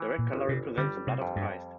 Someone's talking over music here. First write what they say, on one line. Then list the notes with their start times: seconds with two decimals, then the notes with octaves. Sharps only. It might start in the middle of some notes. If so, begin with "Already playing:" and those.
The red colour represents the blood of Christ.
Already playing: E3
0.19 A#2
0.33 G1
0.49 C3
0.78 D3 G3
1.07 C3
1.22 F2
1.36 G2